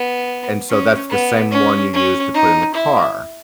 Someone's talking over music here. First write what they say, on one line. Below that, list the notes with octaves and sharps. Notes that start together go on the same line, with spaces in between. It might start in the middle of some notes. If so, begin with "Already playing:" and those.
And so, that's the same one you use to put in the car.
Already playing: B3
C#4
B3
C#4
C#4
D#4
E4